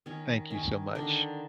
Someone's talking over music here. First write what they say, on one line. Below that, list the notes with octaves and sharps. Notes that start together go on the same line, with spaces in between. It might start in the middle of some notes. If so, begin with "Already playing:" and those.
Thank you so much.
D#3 C#4
D#3 C#4
D3 D#3 D4